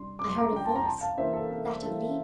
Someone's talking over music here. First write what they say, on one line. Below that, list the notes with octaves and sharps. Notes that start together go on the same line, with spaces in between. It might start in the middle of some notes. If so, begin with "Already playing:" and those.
I heard a voice, that of Leo.
Already playing: C3 G3 D4 C6
C3 D6
C6
A#5 D6
G3 D4 G5
A5
A#5
C3 A5 C6
F5 A5
E3 A#3 D4 C5 E5
A4
C3 A4
E3 A#3 D4 A4